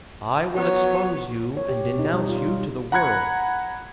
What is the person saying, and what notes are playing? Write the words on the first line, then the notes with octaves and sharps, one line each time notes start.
I will expose you and denounce you to the world!
F#3 B3 C#5
C#5
G4
B2
D#4
G3
F4
G3
F#5 A#5 B5 F#6 G#6 C#7